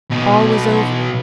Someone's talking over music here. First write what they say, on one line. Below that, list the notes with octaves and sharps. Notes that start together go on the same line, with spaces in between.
All was over.
B1 B2